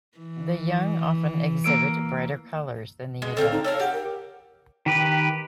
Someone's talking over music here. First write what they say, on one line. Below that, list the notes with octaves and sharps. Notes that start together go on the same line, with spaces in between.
The young often exhibit brighter colors than the adults.
E3
A#3 E6 D7
G#3
D3 C4 A4 F5
D#4
A4 A#4 C#5 F5
G4 F#5
A#4
D#3 G4 B4